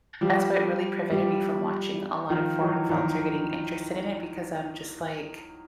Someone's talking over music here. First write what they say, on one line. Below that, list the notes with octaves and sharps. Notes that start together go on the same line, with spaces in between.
That’s what really prevented me from watching a lot of foreign films or getting interested in it because I’m just like,
F3 G3
F3 G3
D#3 F3
E3 F#3
D#3 F3